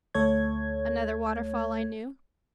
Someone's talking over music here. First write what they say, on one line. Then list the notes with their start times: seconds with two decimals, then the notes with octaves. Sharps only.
"Another waterfall I knew."
0.14 D2 A3 A4 C#5 G#6